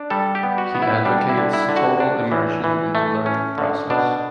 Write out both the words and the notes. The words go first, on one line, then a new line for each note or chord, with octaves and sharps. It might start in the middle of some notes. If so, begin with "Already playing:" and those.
He advocates total immersion in the learning process.
Already playing: D4
G3 A4
G4
B3
F#4
B3
E4
G3 D4
E4
D3
E4
D3
F#4
D4
E3
E3
A3
C#4
D3
B2 D4